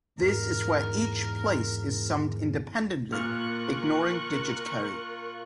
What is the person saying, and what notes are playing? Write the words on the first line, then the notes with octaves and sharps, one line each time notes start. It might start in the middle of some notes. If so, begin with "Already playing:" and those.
This is where each place is summed independently, ignoring digit carry.
E2 G#2 A#4
A#2 F4 A#4 C#6 F6 F#6